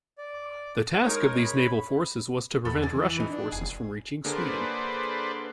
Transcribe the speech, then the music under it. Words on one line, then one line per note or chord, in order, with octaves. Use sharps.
The task of these naval forces was to prevent Russian forces from reaching Sweden.
D5
G#3 D#4 A#4 C#5
B5
E2 A4 B5
G#4 D5
E3
D#4 B4
D4
F1 G#4
D3 A#3 G#4 B4 C5 D5